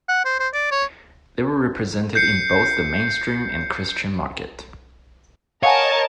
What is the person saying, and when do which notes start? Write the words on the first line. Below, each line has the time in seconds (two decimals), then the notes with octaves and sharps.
They were represented in both the mainstream and Christian market.
0.08 F#5
0.25 C5
0.39 C5
0.54 D5
0.71 C#5
2.15 G6 C7 C#7
5.63 A#4 C#5 D#5 F5 F#5 G#5 A5